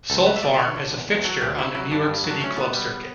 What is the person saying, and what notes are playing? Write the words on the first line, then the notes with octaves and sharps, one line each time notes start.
Soulfarm is a fixture on the New York City club circuit.
C#2 A4
A3 B4
E5
B2 D5
D5
D3 C#5
D3
E2
E2
F#3 A4
D2 G4
C#3 E4
F#3 E4
G2 D4
G2
F#3
D4
A3 C#4
B2 B3
G3